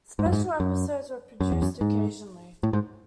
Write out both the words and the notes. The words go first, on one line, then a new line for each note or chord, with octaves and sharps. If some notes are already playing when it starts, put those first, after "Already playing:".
Special episodes were produced occasionally.
G#2
F#2
G#2
F#2
F#2
E2
F#2
G#2
A2
G#2